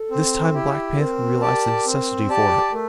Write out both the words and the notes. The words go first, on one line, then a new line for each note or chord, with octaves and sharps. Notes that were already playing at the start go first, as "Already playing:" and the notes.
This time Black Panther realized the necessity for it.
Already playing: A4
C4
E4 G4
A4
C4 A#4
G4 D5 A5
C4
G4 D5 A5
A3 A#4